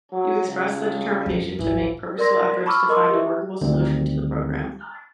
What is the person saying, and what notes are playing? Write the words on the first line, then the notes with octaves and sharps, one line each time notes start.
You expressed the determination to make purposeful efforts to find a workable solution to the work program.
F#3
C#2
F2 F3
G#1 D2 E3
A#4 D5 C6 A#6
A5 B5 C#6 D6 E6 F6
A#4 D#5 C6 D6 E6
G4 E5
D2 D#3 G3 C4